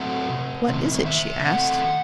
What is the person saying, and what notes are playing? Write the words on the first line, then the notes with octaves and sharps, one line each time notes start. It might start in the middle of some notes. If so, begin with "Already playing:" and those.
"What is it?" she asked.
Already playing: F#3 A3 C4 F#5
C3
D#3 A3 C4
C3 E5
D#3 A3 C4 F#5